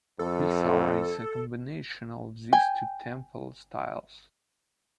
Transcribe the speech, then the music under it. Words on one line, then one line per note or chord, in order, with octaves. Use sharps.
Vesara is a combination of these two temple styles.
F2 A4
G5 G#5